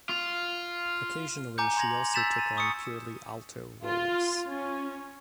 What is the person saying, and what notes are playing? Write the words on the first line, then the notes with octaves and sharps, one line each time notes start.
Occasionally she also took on purely alto roles.
F4
G#5 A#5 D6 G6 C#7
C6 D6 G#6 A#6 F7 F#7
E6 G6 A6 B6 E7 F7
D#7
C#6 D#6 E6 C#7
F4
C#4